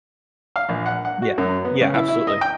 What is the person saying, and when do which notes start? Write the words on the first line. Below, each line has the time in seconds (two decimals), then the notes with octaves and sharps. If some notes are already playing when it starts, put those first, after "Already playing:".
Yeah, yeah, absolutely.
0.56 F5
0.69 A#1
0.86 F#5
1.05 F#5
1.22 F#4
1.38 F#2
1.65 B3
1.81 C#3
1.94 E4
2.08 E4
2.27 D#5
2.41 G5